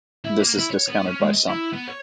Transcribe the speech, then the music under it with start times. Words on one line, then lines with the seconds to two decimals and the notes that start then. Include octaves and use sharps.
This is discounted by some.
0.25 E4
0.40 A#3
0.58 E4
0.71 C#5
0.88 B3
1.06 C#4
1.21 G#3
1.34 D#5
1.49 E4
1.73 B3
1.88 C#5